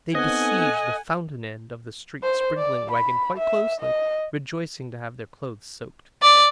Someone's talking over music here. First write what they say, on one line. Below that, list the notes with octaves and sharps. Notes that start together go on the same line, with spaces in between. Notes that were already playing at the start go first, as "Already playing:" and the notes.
They besiege the fountain-end of the street-sprinkling wagon quite closely, rejoicing to have their clothes soaked.
B3 C4 D#4 A4 D#5 F#5 G#5
C5
D5
B5
E5
D#5
D5